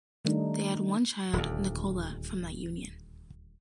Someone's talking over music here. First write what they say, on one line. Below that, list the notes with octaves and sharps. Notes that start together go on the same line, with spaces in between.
They had one child, Nicola, from that union.
D#3 G3 A3 D4 D#4
D#1 D2